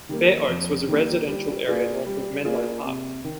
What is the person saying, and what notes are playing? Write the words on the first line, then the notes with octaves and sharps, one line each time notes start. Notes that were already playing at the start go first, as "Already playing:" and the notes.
Fair Oaks was a residential area north of Menlo Park.
D#3 G3 A#3
F2
D#3 G3 A#3
G3
A#3 F4 G#4 D5
G3
A#3 F4 G#4 D5
C3
D#3